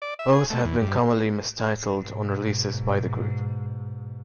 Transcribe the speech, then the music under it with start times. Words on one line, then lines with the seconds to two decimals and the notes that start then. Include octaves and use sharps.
Both have been commonly mis-titled on releases by the group.
0.02 D5
0.19 E5
0.33 G#4
0.50 A3
0.64 E2
0.81 G2
1.99 G#2 B2